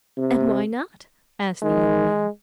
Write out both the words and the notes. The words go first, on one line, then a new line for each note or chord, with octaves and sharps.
"And why not?" asked the young man.
C3
D#3 G#3